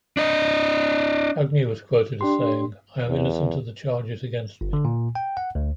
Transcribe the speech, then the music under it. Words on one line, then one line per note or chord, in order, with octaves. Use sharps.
Agnew was quoted as saying: I am innocent of the charges against me.
D4 D#5
D4 G4 C6
E2
G1
D3
A#2
G5
F#5
D2